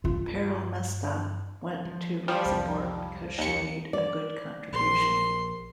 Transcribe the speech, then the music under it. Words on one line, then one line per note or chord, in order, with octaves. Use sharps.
Perle Mesta went to Luxembourg because she made a good contribution.
G2 F4
F3
F3 G3
C2 F2
D#2 C#7
D5
A#1 C6